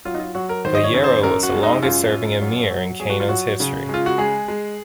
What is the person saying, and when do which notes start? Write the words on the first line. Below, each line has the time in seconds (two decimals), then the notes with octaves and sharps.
Bayero was the longest-serving emir in Kano's history.
0.05 F#3 F4
0.14 D#4
0.20 F4
0.35 F#3 F#4
0.49 A#4
0.65 D#3 C5
0.75 D#5
0.84 C#5
0.94 F#2
1.04 C5
1.23 F#2 A#4
1.43 F#4
1.53 G#3
1.63 D#4
1.82 F#2 F4
2.12 F#2
2.42 F#3
2.70 F#3
3.00 F#3 G#4
3.10 F#4
3.20 F4
3.29 F#3 F#4
3.60 C#3
3.89 G#3 F4
4.06 F#4
4.18 G#3 G#4
4.48 G#3